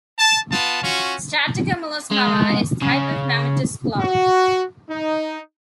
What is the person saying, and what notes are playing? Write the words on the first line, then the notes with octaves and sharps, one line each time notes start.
Stratocumulus Mamma is a type of mammatus cloud.
A5
B3 F4 A5
C#4 F4 F#4
G#3
C#3 C#4
F#4
D#4